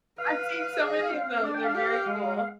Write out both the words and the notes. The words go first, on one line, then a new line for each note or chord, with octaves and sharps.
I've seen so many of those, they're very cool.
B4 F5
G#4 F5
D#5
F5
C4
D4 D5
G5
F5
G4
G#3
F5